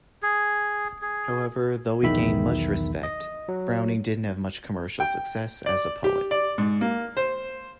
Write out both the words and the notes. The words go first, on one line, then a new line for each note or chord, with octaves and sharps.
However, though he gained respect, Browning didn't have much commercial success as a poet.
G#4
G#4
B1 E2 D#3 E5 B5
D#5
F#3
G5
D5
G4
D5
G#2
A#3
C5